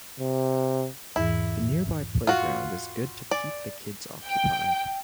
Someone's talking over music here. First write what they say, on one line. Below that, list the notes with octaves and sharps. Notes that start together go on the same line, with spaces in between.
The nearby playground is good to keep the kids occupied.
C3
E2 G#2 E3 E4
F4 F#4
D5 G#5 D6
G5